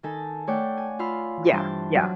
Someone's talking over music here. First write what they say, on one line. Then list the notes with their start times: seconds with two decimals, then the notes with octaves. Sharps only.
Yeah, yeah.
0.03 D#3 D#4 A4 G#5 A5
0.47 A3 A4 C#5 D5 F#5 G5
0.77 G#5
0.99 F4 F5 B5 E6
1.51 G2 E3 D4 C5 A5
1.95 F#3